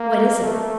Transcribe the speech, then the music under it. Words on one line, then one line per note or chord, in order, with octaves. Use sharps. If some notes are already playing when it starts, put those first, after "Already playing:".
"What is it?"
Already playing: A#3
A3